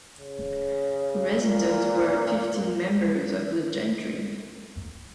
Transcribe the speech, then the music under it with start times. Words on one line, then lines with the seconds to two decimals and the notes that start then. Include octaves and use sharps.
Resident were fifteen members of the gentry.
0.19 C#3
1.41 A#2